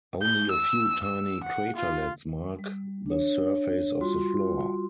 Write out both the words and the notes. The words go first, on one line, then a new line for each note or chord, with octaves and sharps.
Only a few tiny craterlets mark the surface of the floor.
G6
E6
E6
F#5
F4
G3
D4 C#5
G3 F4 F#4 C6